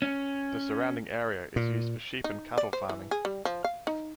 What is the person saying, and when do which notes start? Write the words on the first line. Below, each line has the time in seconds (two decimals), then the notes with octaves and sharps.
The surrounding area is used for sheep and cattle farming.
0.02 C#4
1.56 A#2
2.24 D#4
2.58 D5
2.73 C5
2.89 E3
3.11 G#4
3.25 G3
3.45 F3
3.64 F5
3.87 D#4